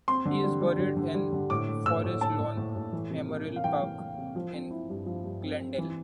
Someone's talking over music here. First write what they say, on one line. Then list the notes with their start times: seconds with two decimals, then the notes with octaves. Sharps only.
He is buried in Forest Lawn Memorial Park in Glendale.
0.08 C4 C6
0.25 D3
0.43 G3
0.61 G3
0.79 D3
0.97 D3
1.15 G3
1.33 D3
1.50 A2 D6
1.68 A3
1.86 A2 E6
2.04 A2
2.21 A2 A5
2.39 A2
2.57 A2
2.76 A2
2.92 E3
3.10 C3
3.29 A#3
3.46 C3
3.56 F5
3.64 E3 G5
3.82 E3
4.00 E3
4.18 C3
4.35 F3
4.53 C4
4.70 E4
4.89 G2
5.06 F3
5.24 G2
5.43 C4
5.61 C4
5.78 E3